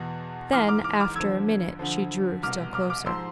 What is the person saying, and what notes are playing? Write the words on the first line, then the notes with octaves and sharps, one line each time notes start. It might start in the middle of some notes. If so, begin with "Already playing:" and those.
Then, after a minute, she drew still closer.
Already playing: E2 B2
G#2 E3 D6 F6
D6 F6
D6 F6
D6 F6
F2 D3 F3 E6 G#6
D2 D3 F3
C2 B2 D6 F6
D6 F6
D6 F6
G#2 F3 C6 E6